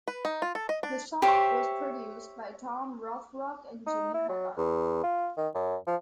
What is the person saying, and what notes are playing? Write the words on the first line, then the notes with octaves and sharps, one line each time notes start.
The song was produced by Tom Rothrock and Jimmy Hogarth.
B4
D#4
F4
A4
D#5
D4
G4 C5 C#5 E5
D#4
E4
F#3
E2
F4
D#3
F#2
F3